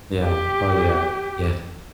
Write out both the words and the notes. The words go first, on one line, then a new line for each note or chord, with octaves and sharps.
Yeah. Oh, yeah. Yeah.
G4